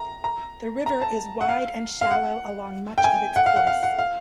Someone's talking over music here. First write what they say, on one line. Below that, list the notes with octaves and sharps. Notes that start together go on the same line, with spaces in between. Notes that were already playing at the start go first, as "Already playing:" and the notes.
The river is wide and shallow along much of its course.
Already playing: A#5
A#5
A#5
A5
F#5
F5
F5
F#5
G5
G#5
F#5
F5
F#5
F5
F#5
F5